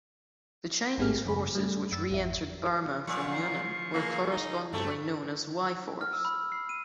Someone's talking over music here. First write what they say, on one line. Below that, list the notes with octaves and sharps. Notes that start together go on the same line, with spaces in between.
The Chinese forces which re-entered Burma from Yunnan were correspondingly known as Y Force.
A1 G#2 C4 G4 G#4 F6
F#2 C#3 B5
G3 A3
F#2 E6 A6
G#1 F2 E5
F#2 A#2 F3 C#6
C7
C#3 A#3
D#4
D2 G2 A3 C4 A5
F6
E6
B5
C7
D#7